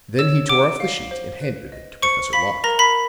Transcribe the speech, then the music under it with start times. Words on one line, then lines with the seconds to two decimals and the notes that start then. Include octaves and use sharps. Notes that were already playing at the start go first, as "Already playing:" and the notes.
Then he tore off the sheet and handed it to Professor Locke.
0.19 C#5 E6 E7
0.49 F#5 D6 D7
0.80 F5
1.11 C5
1.41 B4
1.72 D#5
2.02 C5 C#6 C#7
2.33 F5 B5 B6
2.64 A#4 A#5 A#6
2.79 B5 B6